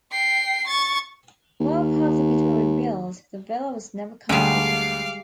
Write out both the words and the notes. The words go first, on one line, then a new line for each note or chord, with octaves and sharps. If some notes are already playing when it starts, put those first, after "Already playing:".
While parts of it were rebuilt, the villa was never completed.
G5 C7
C#6 A6
D#2
D2 G3 G#3 F5 D6